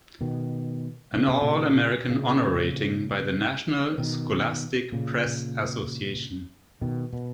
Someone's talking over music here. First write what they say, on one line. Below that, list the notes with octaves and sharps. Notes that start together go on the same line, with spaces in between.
An All-American honor rating by the National Scholastic Press Association.
B2 D#3
C#3
B2
A#2 C#3
A#2 C#3
B2 D#3
A#2 C#3
B2 D#3
B2